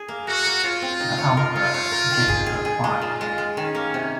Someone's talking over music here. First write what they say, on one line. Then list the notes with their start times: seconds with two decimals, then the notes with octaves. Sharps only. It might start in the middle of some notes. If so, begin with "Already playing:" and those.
The outburst gets her fired.
Already playing: G#4
0.08 A#3
0.27 A#3 F#4
0.46 A#3
0.63 F4 C#5
0.82 C4
1.00 D#4
1.18 C#5
1.37 F4 A#4
1.55 C#5
1.74 C#5
1.92 A#4
2.11 D#3
2.28 G#4
2.46 G#4
2.65 G#4
2.84 G#3 F4
3.02 A#2
3.21 G#3
3.38 G#3
3.57 D#3 C#4
3.75 A#3
3.94 C3